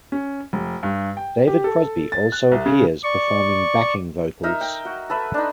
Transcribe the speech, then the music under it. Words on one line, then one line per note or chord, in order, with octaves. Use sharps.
David Crosby also appears performing backing vocals.
C#4
F1
G2
G5
G4
A4
A6
F#6
C2
C#3
D5 C#6
D#4 A#4 E5
G5
F#4
A4 B4 E5
D4 D#4